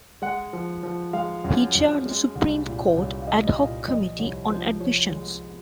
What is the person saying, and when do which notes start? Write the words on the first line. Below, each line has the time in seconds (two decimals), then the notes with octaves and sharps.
He chaired the Supreme Court Ad Hoc Committee on Admissions.
0.22 G#3 F#5
0.53 F3
0.83 F3
1.13 G#3 F5
1.44 F#2
1.75 F#2
2.06 G#3
2.35 C2
2.66 A#2
2.97 C2 C#5
3.22 F5
3.27 C2 D#5
3.47 D#5
3.58 A#2 F5
3.88 F3 D#5
4.19 C2 C#5
4.49 F3 C5
4.80 F3 C#5
5.11 G#3